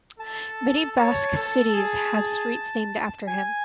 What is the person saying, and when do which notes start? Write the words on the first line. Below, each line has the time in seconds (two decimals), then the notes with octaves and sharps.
Many Basque cities have streets named after him.
0.19 A4 A5
0.97 C#5 A5
1.35 A4
1.74 G#4
3.27 G#5